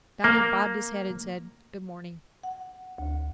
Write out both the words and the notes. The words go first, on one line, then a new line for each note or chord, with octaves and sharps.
Johnny bobbed his head and said, "Good morning."
A#3
F#5
D2